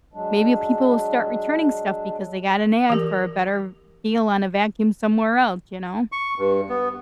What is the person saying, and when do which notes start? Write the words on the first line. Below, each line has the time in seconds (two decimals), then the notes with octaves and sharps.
maybe people will start returning stuff because they got an ad for a better deal on a vacuum somewhere else, you know?
0.14 F#3 G#3 D4
2.90 E3 G4 A#4
6.12 C#6
6.38 G2
6.69 B3